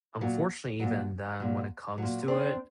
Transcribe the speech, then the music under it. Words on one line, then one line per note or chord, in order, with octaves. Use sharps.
unfortunately, even then when it comes to it,
A#2 F#3
A#2 F#3
A#2 F#3
A#2 F#3
C4 D4